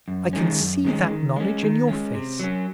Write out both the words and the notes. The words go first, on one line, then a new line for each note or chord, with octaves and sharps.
I can see that knowledge in your face.
F#2
D#3 G#3 C#4
F#2
D#3 G#3 C#4
D#3
G#3 C#4
D#3
G#3 C#4
C3
F#3 C#4